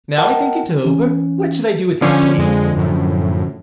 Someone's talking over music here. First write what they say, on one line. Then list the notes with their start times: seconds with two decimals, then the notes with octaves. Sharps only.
Now I think it over, what should I do with a pig?
0.18 A#4 D#5 F#5 G5 A5
0.85 E3 C#4
2.02 D3 F3 C#4
2.37 F2 G#3
2.76 F#2 A2